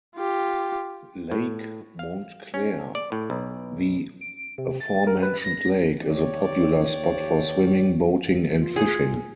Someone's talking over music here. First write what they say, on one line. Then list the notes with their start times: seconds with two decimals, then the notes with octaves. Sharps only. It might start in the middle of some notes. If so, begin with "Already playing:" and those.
Lake Montclair, the aforementioned lake, is a popular spot for swimming, boating, and fishing.
0.16 F4 G4
1.31 A2
1.99 F5
2.54 C#4
2.95 D5
3.12 A2
3.30 B1
4.21 D7
4.58 C3
4.80 A6
5.07 A#4
5.22 B4
5.44 A#6
6.02 D#2 G4 C#5 D5
8.58 F4
8.76 G#4